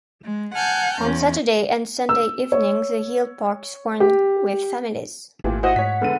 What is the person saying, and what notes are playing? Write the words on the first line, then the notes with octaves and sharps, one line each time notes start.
On Saturday and Sunday evenings the hill park swarmed with families.
G#3
F#5 G#5 A5 F6 G6
E2 C#4
E6
C#5
G4
G#1 A#2 E3 A3 F4 G4
E4 F#4 C5 D#5 F#5
G#2 C#5 B6
F1 D3 G#3 B3 A4 D#7